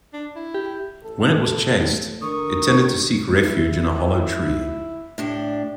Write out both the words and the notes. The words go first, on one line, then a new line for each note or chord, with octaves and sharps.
When it was chased, it tended to seek refuge in a hollow tree.
D4
E4
G4
A1 A4
A3
D3 A#4 C#6 D#6
E4
A2 D4 G4